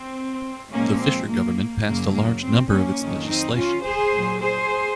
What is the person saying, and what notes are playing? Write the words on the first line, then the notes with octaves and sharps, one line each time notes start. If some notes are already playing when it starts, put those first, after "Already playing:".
The Fisher government passed a large number of its legislation.
Already playing: C4
A#2 F3 G#3 A#3 C#4
C4
A#3
F#2 C#3 F#3 A#3
A#3
C4
A#3 C#4
F2 D#3 F#3
C4 D#4
C#4 F4
G#4 C5
A#2 F#3
G#4 C5